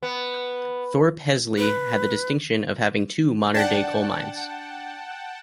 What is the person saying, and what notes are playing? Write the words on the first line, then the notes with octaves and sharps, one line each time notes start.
Thorpe Hesley had the distinction of having two modern-day coal mines.
B3
B4
D4 F#5 G5 A5